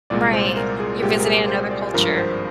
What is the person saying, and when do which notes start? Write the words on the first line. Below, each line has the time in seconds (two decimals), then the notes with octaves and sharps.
Right, you're visiting another culture.
0.10 C2 A#2 G#3 D5
0.33 C5
0.56 A#4
0.80 G#4
1.02 C2 A#2 G#3 G4
1.20 A#4
1.25 G#4
1.48 C5
1.71 D5
1.94 G#1 G2 F3 A#4
2.17 C5